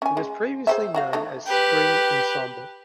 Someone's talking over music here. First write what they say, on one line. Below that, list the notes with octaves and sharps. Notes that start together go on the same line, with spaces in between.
It was previously known as Spring Ensemble.
C#4 G#5
G#3
G#4 C5 E5
F#3 F#4 F5
A3 D4 D#4
G4 B4